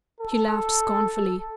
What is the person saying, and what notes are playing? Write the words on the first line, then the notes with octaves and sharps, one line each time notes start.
She laughed scornfully.
A4